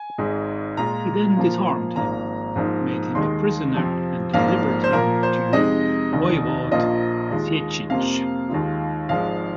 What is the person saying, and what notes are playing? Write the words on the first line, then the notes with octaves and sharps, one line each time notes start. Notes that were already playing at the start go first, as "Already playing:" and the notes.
He then disarmed him, made him a prisoner, and delivered him to Voivode Sieciech.
Already playing: G#5
G#1 G#2 G#3
A#2 G#3 F4 A#5
A#2 F3 A#3 F4
G#1 G#2 F3 A#3 A#5
G#2 F3 A#3 D#4
D#2 D#3 G#3 D#4 C6
F2 C3 F3 C4
G#1 G#2 F3 A#3 F5
C5
A#2 F3 A#3 A#4
C5
F2 C3 G#3 D#4 D#5
F1 D#2 D#3
A#1 A#2 F3 A#3 F4 D#5
D#2 D#3 G#3 F4
F2 C3 F3 A#3 F4 F5
D#2 D#3 G#3 F4
G#1 G#2 F3 G#3 F5